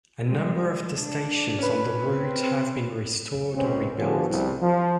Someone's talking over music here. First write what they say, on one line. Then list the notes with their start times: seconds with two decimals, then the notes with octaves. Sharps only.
A number of the stations on the route have been restored or rebuilt.
0.25 G3 G#3
0.92 D4
1.59 C#4 B4
2.03 C4
3.55 C#2 C#3 C4 C#4
3.98 D3 F3 B3 F#4 G#4
4.28 C2
4.61 F3